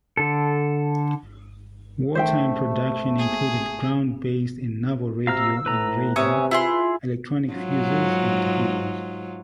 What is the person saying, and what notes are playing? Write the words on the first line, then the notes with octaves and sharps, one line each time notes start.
Wartime production included ground-based and naval radio and radar, electronic fuses, and torpedoes.
D3 A4
A3 C5 E5 G5
G#4
C3 F5 A#5 E6 F6
A2 B4 A#5
C3 C#5 E5 G#5 D#6
E4 F4 G#4 C6
G#2 F#3 F4